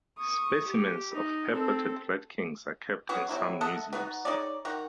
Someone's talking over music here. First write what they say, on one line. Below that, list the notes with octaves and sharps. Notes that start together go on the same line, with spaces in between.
Specimens of purported rat kings are kept in some museums.
C#6 D#6
G4
D#4
C4 A4
B3 C#4 F#4 G#4
C3 F#3 E4
A4 D#5 E5 F#5
B3 D#4 F#4
D#4 G#4 C#5 D5
D#3 F#4